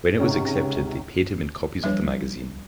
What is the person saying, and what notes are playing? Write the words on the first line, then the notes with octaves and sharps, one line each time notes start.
When it was accepted, they paid him in copies of the magazine.
C#2 G#2 C3 C#4
F3 G3 D4 B4 C#5